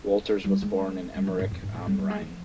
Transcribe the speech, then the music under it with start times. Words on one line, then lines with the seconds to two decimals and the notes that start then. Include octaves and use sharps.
Wolters was born in Emmerich am Rhein.
0.44 G3
0.62 G#3
1.15 G3
1.27 F3
1.39 G2
1.51 F2
1.63 G2
1.74 G#2
1.87 G3
1.99 G3
2.10 G#3
2.22 F3